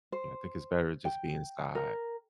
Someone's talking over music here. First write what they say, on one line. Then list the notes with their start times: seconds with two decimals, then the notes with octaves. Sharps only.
Yeah, I think it's better just being inside.
0.12 C5
1.05 G5
1.75 A#4